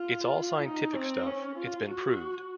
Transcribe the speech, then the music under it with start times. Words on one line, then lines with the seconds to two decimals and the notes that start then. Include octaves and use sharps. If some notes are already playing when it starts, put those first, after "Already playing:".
It's all scientific stuff; it's been proved.
Already playing: F4
0.64 D#4
0.95 C4
1.26 C#4
1.57 F4
1.88 F#4